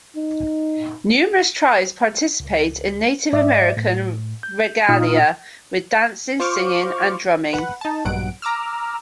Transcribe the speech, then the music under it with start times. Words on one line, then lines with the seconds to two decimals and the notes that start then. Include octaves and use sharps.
Numerous tribes participate in Native American regalia with dancing, singing and drumming.
0.16 D#4
2.40 C#2
3.33 G#2 D5 E5
3.77 A2
4.43 G6
4.89 A#2 D#4 F4 D#6
6.40 F4 C5 C#6 D6 F6
7.53 B4 F#5
7.81 D#4 A5
8.05 A#1 G2 B2 F#3 F#5 D7
8.42 A#5 D6 E6 F6